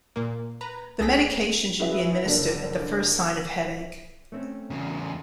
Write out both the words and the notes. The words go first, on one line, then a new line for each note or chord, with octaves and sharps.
The medication should be administered at the first sign of headache.
A#2 A#3
B4 A#5
C2 G#4 A4 A#6 B6
C#4 E4 F#4 G#4 B4 E5
F#1 D3 A#3 D4
A3 C4 C#4
E2 C#3